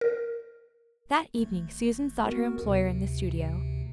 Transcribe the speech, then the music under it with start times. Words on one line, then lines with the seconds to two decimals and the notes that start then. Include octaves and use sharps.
That evening Susan sought her employer in the studio.
0.01 A#4
1.35 G#1 A3
2.25 B3 F#4 A#4
2.62 D2 C3